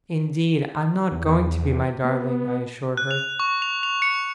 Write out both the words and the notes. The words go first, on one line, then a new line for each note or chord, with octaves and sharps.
'Indeed I am not going to be, my darling!' I assured her.
E2
B3
F#6
F7
C#6
F7
F7
C#7